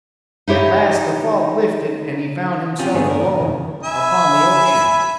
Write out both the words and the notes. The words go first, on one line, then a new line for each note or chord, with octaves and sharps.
At last the fog lifted, and he found himself alone upon the ocean.
D#4 E4 G4 C#5
C4 C#4 F4 G4
G2 D3 A3 B3 G#4
A#4
A#2
C2 F2 C#3
E5 G#5 B5